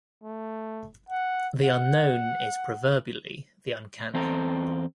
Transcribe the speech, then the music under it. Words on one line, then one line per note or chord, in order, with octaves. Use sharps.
The unknown is proverbially the uncanny.
A3
F#5
F#5
E2 C4 A4 A#5